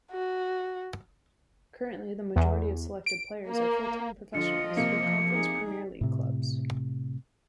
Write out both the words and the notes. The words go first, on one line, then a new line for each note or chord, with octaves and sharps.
Currently, the majority of selected players are full-time professionals with Conference Premier league clubs.
F#4
E2
D7
A#3
D3 F3 F4 D#5 C#7
C3 A#3 C#7
D#4 G#4
A2 C3